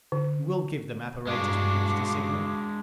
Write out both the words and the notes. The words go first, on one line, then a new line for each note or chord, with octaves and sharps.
"You will give them apparatus with which to signal?"
D3
G2 G#3 D4 F#4 F5 D6